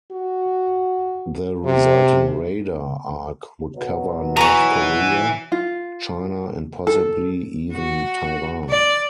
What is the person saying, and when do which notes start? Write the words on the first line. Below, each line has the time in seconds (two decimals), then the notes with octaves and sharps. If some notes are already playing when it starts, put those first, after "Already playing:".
The resulting radar arc would cover North Korea, China and possibly even Taiwan.
0.12 F#4
1.65 C3
3.77 B2 F#3
4.37 E3 A#5 C#6
5.52 F4
6.87 A4
7.73 F#4
8.69 D5